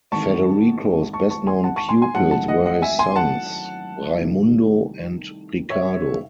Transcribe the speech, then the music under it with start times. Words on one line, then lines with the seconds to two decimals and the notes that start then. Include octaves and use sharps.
Federico's best-known pupils were his sons, Raimundo and Ricardo.
0.12 G#1 G#2 E3 A5 C#6
1.13 A5 C#6
1.31 A5 C#6
1.47 G#5 C6
1.64 F#5 A5
1.76 A5 C#6
1.89 G#5 C6
2.02 G#5 C6
2.15 G#1 F#2 E3 A3 D#4 F#5 A5
2.31 F#5 A5
2.48 D#5 F#5
2.65 D#5 F#5
2.82 E5 G#5
2.99 G#5 C6
3.16 F#5 A5
4.17 C2 C3 D#3 A3 D#4
5.70 C#5 E5